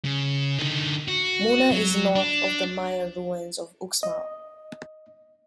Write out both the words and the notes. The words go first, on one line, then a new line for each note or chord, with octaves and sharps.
Muna is north of the Maya ruins of Uxmal.
C#3
D3 D#4
F#4
F#3
D4
D#5